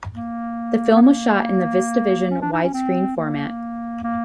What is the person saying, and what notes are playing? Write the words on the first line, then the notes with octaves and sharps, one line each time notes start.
The film was shot in the VistaVision wide-screen format.
A#3
B3
A#3
C#4
D4
D#4
C#4
C4
A#3
A#3